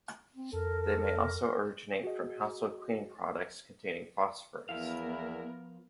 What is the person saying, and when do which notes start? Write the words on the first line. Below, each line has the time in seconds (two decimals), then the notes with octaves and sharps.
They may also originate from household cleaning products containing phosphorus.
0.35 C4
0.53 F2 A4 A#4
2.03 F#4 G#4 D#5
4.69 E2 F3 B3 E4 A#4 F5